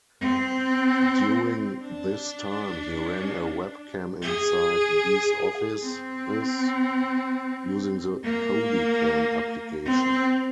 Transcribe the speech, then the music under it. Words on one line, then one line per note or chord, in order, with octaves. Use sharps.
During this time, he ran a webcam inside Be's offices using the CodyCam application.
C4
D4
G#4
C4
A#3
C4